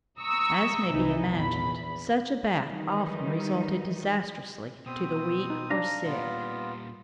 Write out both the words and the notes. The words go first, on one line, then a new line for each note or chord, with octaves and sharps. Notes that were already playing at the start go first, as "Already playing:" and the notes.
As may be imagined, such a bath often resulted disastrously to the weak or sick.
A#5 C#6 D#6 E6
C2 E3 D#4
A#1 E2 B5
D#3 E3 G3 D#4
B2 C4 D#6
D#4
D4 F5 A#5
A#2 G3 B3 F4